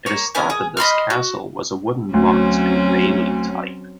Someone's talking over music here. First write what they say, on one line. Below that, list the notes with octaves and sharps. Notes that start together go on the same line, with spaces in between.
It is thought that this castle was a wooden motte and bailey type.
A#3 C#5
B3 C#4 A#4 G#5
G#4
D#5 B5 C6 F6
F#4
D2 F#3 C4 C#4